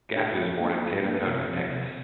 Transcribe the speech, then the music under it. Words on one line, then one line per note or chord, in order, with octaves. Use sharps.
Gaffney was born in San Antonio, Texas.
D4 G#4
F3
A#3 D4
F3
A#3 D4
C3
F3 C4
C3